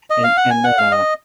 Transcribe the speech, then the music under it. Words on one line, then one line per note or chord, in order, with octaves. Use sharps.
and and then, uh,
D#5
F5
F#5
G#5
F#5
F5
D#5